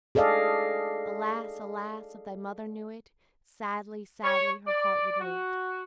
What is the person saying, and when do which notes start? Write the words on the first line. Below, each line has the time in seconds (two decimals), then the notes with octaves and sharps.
"Alas! alas! if thy mother knew it, Sadly, sadly her heart would rue it."
0.15 G#4 A4 D5 D#5 F5
4.24 C#5
4.67 D5
5.21 F#4